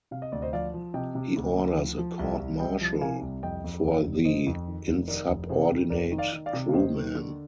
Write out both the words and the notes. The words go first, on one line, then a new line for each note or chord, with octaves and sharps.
He orders a court-martial for the insubordinate crewman!
C3 F5
D#5
D2 D5
C5 D#5
F3 D5 F5
F3
C3 D#5 G5
C3
D2
D2
F3
F3
C2
C2
C2 D#5 G5
F3
C3 F5 G#5
C2
F2 D#5 G5
F2
F1
F1
D#3 C5 D#5
F2
D#3
F1
D#3 A#4 D5
F1
C3 G#4 C5
F2
F1 A#4 D5
D#3
D5 F5
D#3
D5 F5
C3
F5
D#2 C5 D#5
D#2
D3